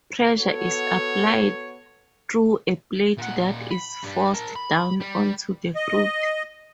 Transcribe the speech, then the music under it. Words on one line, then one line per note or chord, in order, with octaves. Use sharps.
Pressure is applied through a plate that is forced down onto the fruit.
B3 F#4 A4 C#5
A#2 F#5
B5
G2 G3
A#4 A5
B5
G3
D#5